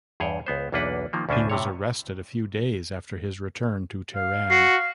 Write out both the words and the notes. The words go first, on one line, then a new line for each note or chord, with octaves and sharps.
He was arrested a few days after his return to Tehran.
E2 G2 G#4 C#5 G5
C#2 B3 C5
B1 E2 A#3 D4 B4 F#5
D#3 F3 A#3
D2 B2 C#4 D4 C5 G#5
A2 C3 C#5
F5
F#4 C7